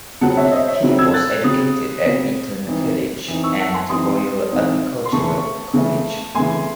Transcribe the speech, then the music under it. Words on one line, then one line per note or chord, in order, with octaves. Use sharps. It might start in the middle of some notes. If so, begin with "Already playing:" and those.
He was educated at Eton College and the Royal Agricultural College.
C#3 F#3 C4 F#5 A5
C#5 E5
E5
C5 D#5
C#5 E5
C#3 F#3 C4
E6 G#6
F#6 A6
C#3 F#3 C4 D#6 F#6
C#3 F#3 C4
E3 C4 D#4
E3 C4 D#4
C#6 E6
F#5 A5
G#5 C6
E3 C4 D#4 C6 D#6
E3 C4 D#4
C6
C#3 E3 A3 A5 C#6
C#3 E3 A3
C#3 E3 A3 G#5 C6